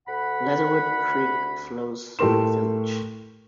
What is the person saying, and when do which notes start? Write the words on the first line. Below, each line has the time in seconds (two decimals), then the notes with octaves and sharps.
Leatherwood Creek flows through the village.
0.08 D2 F#5 B5
2.19 A2 A3 G4 A#4 C6 E7